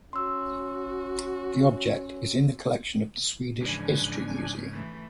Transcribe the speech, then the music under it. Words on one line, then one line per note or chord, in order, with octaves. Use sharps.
The object is in the collection of the Swedish History Museum.
C#4 F#4 C6 E6
G#2 C#3 E3 F3 D4 G#5
E3 A3